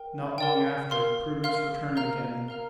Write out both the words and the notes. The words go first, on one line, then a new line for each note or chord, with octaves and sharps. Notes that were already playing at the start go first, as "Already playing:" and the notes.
Not long after, Prudence returned again.
Already playing: A#4 G5
A#4 D5 G5
A#4 F5 C6 F6
A#4 F5 C6 F6
A#4 F5 A#5 F6
A#4 F5 A#5 F6